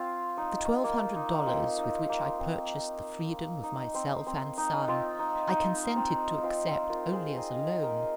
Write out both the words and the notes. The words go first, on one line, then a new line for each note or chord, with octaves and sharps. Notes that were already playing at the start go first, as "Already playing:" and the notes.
The twelve hundred dollars with which I purchased the freedom of myself and son I consented to accept only as a loan.
Already playing: C4 F4
D#4
A#3
D#4
C4 F4
D#4
A#3
C4
D#4
C4
C4
D#4
C4 F4
D#4
D#4
C4
C4 F4
C4 F4
F4 A#4
G#4 C5
A#4 D#5
A#4 D#5